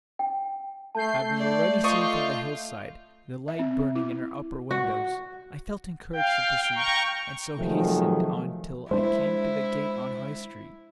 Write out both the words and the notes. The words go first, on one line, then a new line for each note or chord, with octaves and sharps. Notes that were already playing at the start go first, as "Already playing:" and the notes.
Having already seen from the hillside the light burning in her upper windows, I felt encouraged to proceed, and so hastened on till I came to the gate on High Street.
G5
A3 A5 G6 C7
D5
F4 D5 D#5 C#6
E5
C4
E4
F#4
F5 G5
A#5 C#6
C3 D#3 F3 F#3 G#3 A3
G#3 D4 E4 C5